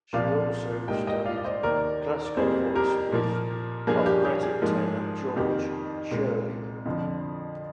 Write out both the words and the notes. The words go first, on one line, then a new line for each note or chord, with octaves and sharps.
She also studied classical voice with operatic tenor George Shirley.
C2 A#2 F3 D5 F5
G#2 G3 A#3 D#5 G5
D#5 G5
D5 F5
D5
C5 D#5
D#2 D#3 A#3 A#4 D5
D5
F2 C3 G3 A#3 G#4 C5
G4 A#4
A#2 F3 A#3
G2 F3 A#3 G#4
G4
G4
G#4
G#2 F3 A#3
F2 D#3 A#3 G4
C2 A#2 G#3
F2 D3 F3